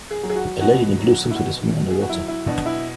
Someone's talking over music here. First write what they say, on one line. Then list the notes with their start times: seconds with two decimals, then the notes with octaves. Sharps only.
A lady in a blue swimsuit is swimming underwater.
0.11 G#4
0.23 F#3
0.30 G#4
0.36 F#4
0.60 B2 F#4
0.98 F#3
1.31 E4
1.35 B2 F#4
1.73 B2
1.91 G#4
2.01 F#4
2.10 F#3 E4
2.28 E4
2.47 B2 D4
2.66 E4